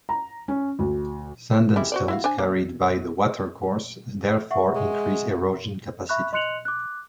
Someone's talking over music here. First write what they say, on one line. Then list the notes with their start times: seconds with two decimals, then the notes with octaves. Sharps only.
Sand and stones carried by the watercourse therefore increase erosion capacity.
0.09 A#5
0.48 C#4
0.79 D2
1.52 C5
1.76 G3 G#3 E4
1.92 F#4 C5 D5
2.08 E4 F#4 F5
2.24 D4 C5 G#5
2.38 A#3
4.51 E5 F#5 C#6
4.75 G#3
6.09 E5 B5 C#6 F#6
6.33 D#5 C6 F#6 C#7 F7 F#7
6.65 D6 F#6